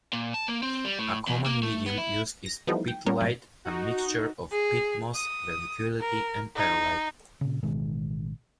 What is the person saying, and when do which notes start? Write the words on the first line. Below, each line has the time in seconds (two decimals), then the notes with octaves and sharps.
A common medium used is 'peat-lite', a mixture of peat moss, vermiculite, and perlite.
0.13 A#2
0.34 A5
0.48 A#3
0.63 C4
0.84 G3
0.99 A2
1.27 E2
1.46 A#3
1.63 A3
1.86 B3
1.98 E4
2.46 A#6
2.67 E3 F3 G3 A3 B3 D#4
2.88 G5
3.06 G3 B3 C#4 A#4 C#5
3.20 A2 C3 F#3
3.65 D#4 F#4
4.52 G#4
5.15 D#6
6.00 A#4
6.56 D#4
7.41 A#2 C#3
7.63 A1 B2 D#3 G#3